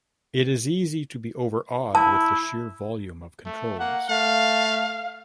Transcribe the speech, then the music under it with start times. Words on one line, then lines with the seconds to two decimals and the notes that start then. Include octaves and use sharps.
It is easy to be overawed with the sheer volume of controls.
1.95 E4 A5
3.46 A3
3.79 A#3 F#5
4.10 A3 F5